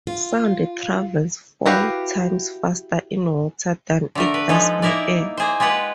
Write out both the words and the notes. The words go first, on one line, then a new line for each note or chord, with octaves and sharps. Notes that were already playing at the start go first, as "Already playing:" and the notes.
Sound travels four times faster in water than it does in air.
F4
E4 F#4 G4 B4 F5
D3 A3 A#4
B4
F3 G#3 D#4 A4 B4
A#3 D#4 E4 A#4 D5
A#3 G#4 C5
G#3 F4 G4 B4 F#5